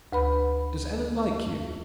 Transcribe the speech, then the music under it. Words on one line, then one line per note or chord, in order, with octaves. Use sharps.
'Does Ellen like you?'
D2 B4 B5